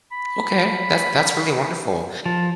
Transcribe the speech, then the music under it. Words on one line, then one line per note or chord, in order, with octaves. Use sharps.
Okay. That's that's really wonderful,
B5
F3 A5